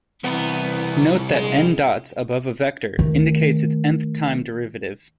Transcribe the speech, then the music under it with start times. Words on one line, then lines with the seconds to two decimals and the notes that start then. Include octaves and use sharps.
Note that n dots above a vector indicates its nth time derivative.
0.24 C2 E3 B3 C4
1.34 A#1 G#3
2.99 D#3 A3